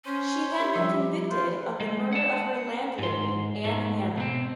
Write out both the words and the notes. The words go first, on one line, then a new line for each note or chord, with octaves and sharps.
She had been convicted of the murder of her landlady Ann Hannah.
C#4 C5 C#5
G4 A#4
F3 G3 E5
F4 B4 C5
G#3
F#5 A5
G#2 C6
G#2 A3
B2 C4